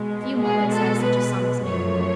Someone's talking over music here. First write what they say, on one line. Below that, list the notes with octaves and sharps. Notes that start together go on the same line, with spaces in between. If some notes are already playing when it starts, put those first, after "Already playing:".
Few mothers have such a son as me.
Already playing: B2 G#3
G#4
A4
B4
F#2 F3 A3 C#5